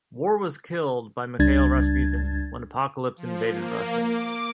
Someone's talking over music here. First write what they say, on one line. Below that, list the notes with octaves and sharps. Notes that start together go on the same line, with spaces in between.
War was killed by Mikhail Rasputin when Apocalypse invaded Russia.
C#2 G3 D4 G#6 A6
F3
A#3
D6